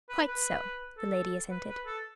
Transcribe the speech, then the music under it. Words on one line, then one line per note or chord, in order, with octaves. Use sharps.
"Quite so," the lady assented.
B4
B4
A4
B4
B4
A4